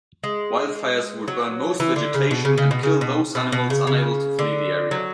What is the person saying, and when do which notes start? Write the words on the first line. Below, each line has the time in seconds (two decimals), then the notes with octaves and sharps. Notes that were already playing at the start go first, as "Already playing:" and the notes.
Wildfires will burn most vegetation and kill those animals unable to flee the area.
0.24 G#3
1.28 F#3
1.80 E3
1.96 D3
2.14 C#3
2.31 B2
2.45 C#3
2.58 C#3
2.71 B2
2.83 C#3
3.01 B2
3.35 B2
3.52 B2
3.70 C#3
3.87 C#3
4.39 D3
4.91 F#3